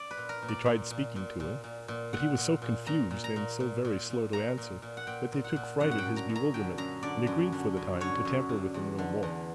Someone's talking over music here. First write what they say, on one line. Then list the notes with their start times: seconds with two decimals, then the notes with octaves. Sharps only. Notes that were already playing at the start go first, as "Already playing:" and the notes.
They tried speaking to him; but, he was so confused, and so very slow to answer, that they took fright at his bewilderment, and agreed for the time to tamper with him no more.
Already playing: D5
0.11 B4
0.17 A#2
0.29 A#4
0.42 A#2
0.48 D5
0.66 A#2
0.91 A#2
1.16 A#2
1.40 A#2
1.64 A#2
1.88 A#2
2.13 A#2 F#5
2.38 A#2
2.62 A#2
2.87 A#2 A#5
3.11 A#2
3.24 A#5
3.36 A#2
3.60 A#2
3.85 A#2
4.10 A#2
4.33 A#2 A#5
4.58 A#2
4.82 A#2
4.97 F#5
5.07 A#2 G5
5.32 A#2
5.44 F#5
5.56 A#2
5.80 F#2 F#5
5.91 F#5
5.98 G5
6.05 D3
6.17 A#5
6.29 F#2
6.36 A#5
6.54 D3 G5
6.78 F#2 A#5
7.03 D3 D5
7.27 F#2
7.52 D3
7.77 F#2
8.01 D3 C#5
8.25 F#2
8.49 D3
8.74 E2
8.98 D3
9.23 E2